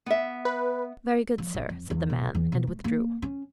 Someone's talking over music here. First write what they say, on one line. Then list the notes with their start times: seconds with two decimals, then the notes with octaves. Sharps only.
"Very good, sir," said the man and withdrew.
0.06 B3 E5
0.45 B4
1.38 F3
1.54 A1
1.69 F2
1.90 E2
2.10 B2
2.35 E2
2.52 B2
2.67 A3
2.84 A#3
3.22 C#4